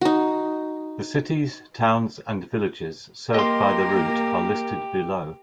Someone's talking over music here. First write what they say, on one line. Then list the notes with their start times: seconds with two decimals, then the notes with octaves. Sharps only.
The cities, towns and villages served by the route are listed below.
0.01 D#4 F#4
3.34 A#3 G4 A#4 D#5 C6